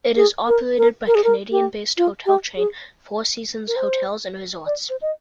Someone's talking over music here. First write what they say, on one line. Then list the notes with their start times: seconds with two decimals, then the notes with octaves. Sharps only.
It is operated by Canadian-based hotel chain, Four Seasons Hotels and Resorts.
0.16 G#4
0.48 A#4
0.78 A#4
1.07 A#4
1.15 G#4
1.24 A#4
1.51 G4
1.97 F4
2.26 G4
2.57 G#4
3.67 A#4
3.76 C5
4.66 D5
4.89 C5
5.01 D#5